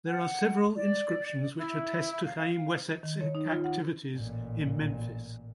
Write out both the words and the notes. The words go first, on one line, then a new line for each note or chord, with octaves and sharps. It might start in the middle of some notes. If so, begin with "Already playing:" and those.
There are several inscriptions which attest to Khaemweset's activities in Memphis.
F#5
D5
E4
F5
D#3
C#5
D#4
F4
F#5
A1 A#2